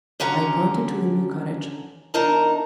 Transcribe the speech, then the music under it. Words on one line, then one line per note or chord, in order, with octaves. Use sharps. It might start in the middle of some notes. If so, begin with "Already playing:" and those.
I pointed to the new cottage.
D3 F#3 C#4 F#5 A#5
E2 D4 D#4 A#4 A5 A#5